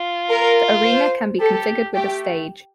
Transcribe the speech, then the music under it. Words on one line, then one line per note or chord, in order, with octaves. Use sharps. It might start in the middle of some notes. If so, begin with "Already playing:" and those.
The arena can be configured with a stage.
Already playing: F4
A#4
C5
G4 A4
A3 G4